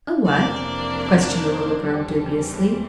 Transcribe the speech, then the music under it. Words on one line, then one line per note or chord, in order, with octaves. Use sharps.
"A--what?" questioned the little girl, dubiously.
F2 C3 E3 A#3 D4 D5
D5
C5
E2 E3 G3 C4 A4